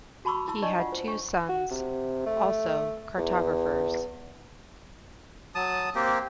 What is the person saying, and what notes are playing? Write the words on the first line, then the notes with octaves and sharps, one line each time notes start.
He had two sons, also cartographers.
F#4 A5 B5 C#6 D6 E6
E4 A5 E6
D4 D5 D#5 A5 C#6
F4 F#5
C5
D4 C#5 C#6
F#4
C3
A3
E2
F#3 A5 D#6
A#3 C4 G4